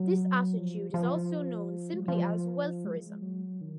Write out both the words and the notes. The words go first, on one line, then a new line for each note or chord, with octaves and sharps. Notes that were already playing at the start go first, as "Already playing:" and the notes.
This attitude is also known simply as "welfarism".
Already playing: F#3
F3
F3
G#3
F#3
F3
G#3
F#3
D#3